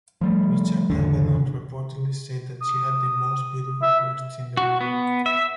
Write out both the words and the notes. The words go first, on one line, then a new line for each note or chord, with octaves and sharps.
Richard Avedon reportedly said that she had "the most beautiful breasts in the world".
F3 G3 A3
G#1 E2 D3
D#6
E5
F#4
B3
E5